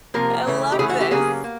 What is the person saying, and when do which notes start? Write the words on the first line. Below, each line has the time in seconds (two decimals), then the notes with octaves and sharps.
I love this.
0.14 C3 F3 A#3 A#4
0.47 C#3 E3 A3
0.72 G4
0.79 C#3 E3 A3 G#4
0.90 F#4
1.01 G4
1.11 C#3 F#3 A#3 G#4
1.44 A#3